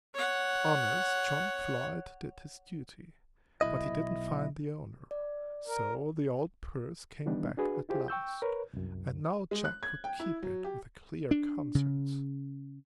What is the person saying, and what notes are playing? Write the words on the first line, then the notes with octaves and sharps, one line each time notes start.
Honest John Floyd did his duty, but he didn't find the owner; so the old purse came back at last, and now Jack could keep it with a clear conscience.
C#5 F#5
B1 G2 E4 D#5
D5
A#4
D#3 E3 G3 B3 D4 D#4
D4 F#4 G#4 B4
E4 F4 G4 G#4 C5
G5 C#6 E6 G6
A#4 B4 C#5
C2 F#2
G#3
F#6
G#6
G5
E4
F#3
G4
D4
C#3